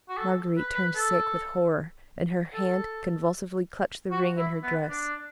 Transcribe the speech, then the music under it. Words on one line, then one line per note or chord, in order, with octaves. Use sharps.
Marguerite turned sick with horror, and her hand convulsively clutched the ring in her dress.
F#4
A4
B4
B4
A4
A4
F#4
E4
B3
D4